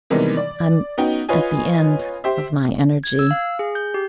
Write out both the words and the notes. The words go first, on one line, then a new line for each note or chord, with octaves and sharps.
I'm at the end of my energy.
C3 D#3 E3 G3 G#3 B3
D5
B3 C#4 D#4 F#4 G5
F4 B4 C#5 D#5 G#5
G4 C5 E5
G#6
E6
F5
G#4
G6
G4